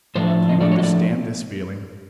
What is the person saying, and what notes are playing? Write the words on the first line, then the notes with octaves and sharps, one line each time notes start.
Do you understand this feeling?
A2 F3 A3 D4 C5
E5
D#5
A2 F3 A3 D4 D5
C#5
D#5
D5